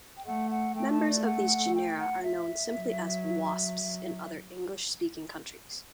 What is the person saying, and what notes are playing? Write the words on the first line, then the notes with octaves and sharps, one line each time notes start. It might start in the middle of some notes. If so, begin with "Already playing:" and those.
Members of these genera are known simply as "wasps" in other English-speaking countries.
G5
A3 F#5
F#5
A3 G5
A5
D5
F#5
G5
F#5
E5
F#3